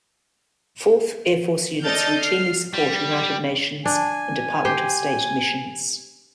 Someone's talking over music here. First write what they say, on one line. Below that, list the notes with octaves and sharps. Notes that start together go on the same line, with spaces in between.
Fourth Air Force units routinely support United Nations and Department of State missions.
A4 D5 D#5 F6 G6 A6
F6 C7
G3
D4 G#5
G4 C5 G5